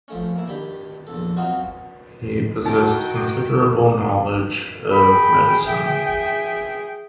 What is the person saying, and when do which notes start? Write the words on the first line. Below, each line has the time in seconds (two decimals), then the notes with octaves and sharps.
He possessed considerable knowledge of medicine.
0.08 F3 A3 C#4
0.36 A#3 E4
0.48 D#3 D4 G4 B5
1.07 A#1 E2 A4
1.37 F#3 C4 C#4 D#4 F4 F#4
2.66 D#3 D#4 F#4 G5
4.91 G#4 G5 B5
5.66 E5